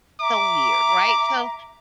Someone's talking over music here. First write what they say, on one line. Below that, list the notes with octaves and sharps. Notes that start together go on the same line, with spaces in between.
So weird, right? So,
E5 A#5 D6